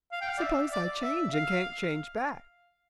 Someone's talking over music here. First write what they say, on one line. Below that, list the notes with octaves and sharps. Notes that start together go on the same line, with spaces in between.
"Suppose I change and can't change back?"
F5
G5
F5
D5
E5
D5
E5
F5